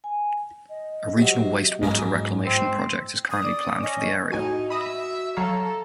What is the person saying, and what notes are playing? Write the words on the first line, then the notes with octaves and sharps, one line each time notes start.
A regional wastewater reclamation project is currently planned for the area.
G#5
D#5
C3 F#3
B1 G#2 C#4 A#4
C4
D#6
D5
C#4 D#5
A2 D#4 F#4 G#5 D#7
E5 B5 D#6 A#6
F#3 A4 C#5 F5 A#5